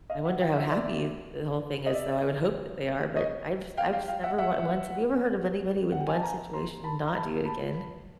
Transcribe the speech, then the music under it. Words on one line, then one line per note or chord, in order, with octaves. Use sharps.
I wonder how happy the whole thing is, though, I would hope that they are, but I was I was never w went have you ever heard of anybody with one situation not do it again?
D#5 F5
E5 F#5
F5 G5
E5 F#5
D5 E5
D#5
D5 E5
C#5 D#5
F5 G5
F5 G5
F5 G5
E5 F#5
E5 F#5
F#5
G5
G#5
A5
G#5 A#5
A#5 C6
A5 B5
A#5
A5 B5
A5 B5